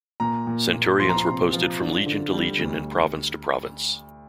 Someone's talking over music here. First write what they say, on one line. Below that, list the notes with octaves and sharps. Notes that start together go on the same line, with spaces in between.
Centurions were posted from legion to legion and province to province.
A#2 A#5
A#2
A#2
F3 C6
A#5
C6
C3
F3
D4
D3
G3
D2